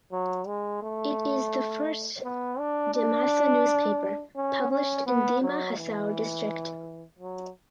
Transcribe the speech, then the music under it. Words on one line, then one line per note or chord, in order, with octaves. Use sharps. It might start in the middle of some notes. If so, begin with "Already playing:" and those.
It is the first Dimasa newspaper published in Dima Hasao district.
F#3
G#3
A3
B3
D4
D4
C#4
C#4
B3
F#3
E3
F#3